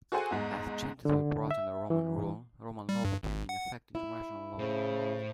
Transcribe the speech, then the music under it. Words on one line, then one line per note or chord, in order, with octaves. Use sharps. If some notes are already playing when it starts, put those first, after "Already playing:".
As "gentes" were brought under Roman rule, Roman law became in effect international law.
F#4 G#4 A4 C5 F#5 G#5
E2 G#2 G#3
D3
E5
E3
G3
G2
G#1
F#5
E4
A2 C#3 C5